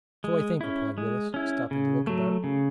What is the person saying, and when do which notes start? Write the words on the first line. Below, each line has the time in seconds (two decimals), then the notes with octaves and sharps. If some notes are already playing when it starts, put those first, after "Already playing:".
"So I think," replied Willis, stopping to look about.
0.24 G#3
0.61 C#4 E4
0.98 G#3
1.34 C#4 E4
1.71 C#3
2.07 F#3 A3
2.44 C#3